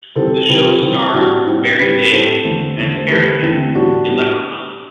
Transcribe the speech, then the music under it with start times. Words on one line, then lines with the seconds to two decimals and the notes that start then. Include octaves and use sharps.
The show starred Barry Dale as Harrigan, a leprechaun.
0.16 C3 E3 G3 C4 A4 C5
0.48 C3 E3 G3 C4 G4 B4
0.81 C3 E3 G3 C4
1.13 A2 G3 C4 D4 F#4
1.46 A2 G3 C4 E4 G4
1.79 A2 G3 C4 G4 B4
2.11 A2 G3 C4 A4 C5
2.45 E2 D3 A3
2.77 E2 D3 A3
2.96 C5
3.09 E2 D3 A3 G4 B4
3.42 E2 D3 A3 C4 E4
3.75 A2 G3 B3 D4 F#4
4.08 A2 G3 B3